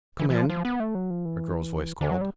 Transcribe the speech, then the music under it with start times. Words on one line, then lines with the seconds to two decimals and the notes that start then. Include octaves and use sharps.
"Come in," a girl's voice called.
0.20 E3
0.30 E3
0.34 F3
0.50 F3
0.65 B3
0.80 A3
0.95 F#3
1.10 F3
1.25 E3
2.01 D3
2.11 F#3
2.21 G3